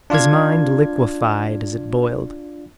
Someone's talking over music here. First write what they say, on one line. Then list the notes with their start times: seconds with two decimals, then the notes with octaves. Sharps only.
His mind liquefied as it boiled.
0.10 D4 F4 D5 F5 G#6